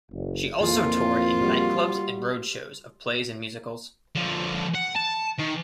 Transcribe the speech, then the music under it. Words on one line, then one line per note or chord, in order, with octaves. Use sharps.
She also toured in nightclubs and roadshows of plays and musicals.
F#1
A#1 F2 E3 A#3 F4
G3 F#4
D3 F3
F#5
A5
D#3